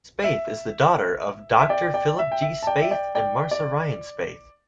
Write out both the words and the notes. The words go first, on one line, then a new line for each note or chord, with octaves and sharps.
Spaeth is the daughter of Doctor Philip G. Spaeth and Marcia Ryan Spaeth.
E5
E5
D5 G5
D5 G5
E5
G5
E5
A5
D5 G5
E5
D5 G5
D5 G5
D5